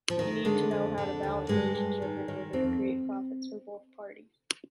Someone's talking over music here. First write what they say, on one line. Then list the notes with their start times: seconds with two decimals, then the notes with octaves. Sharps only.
You need to know how to balance the relationship in order to create profits for both parties.
0.10 F3
0.19 D#3
0.45 D3 G#3
0.71 F2
0.98 D3
1.23 D#2
1.49 G2 G#3
1.75 G2
2.02 D#3
2.28 D#3
2.53 F2 C4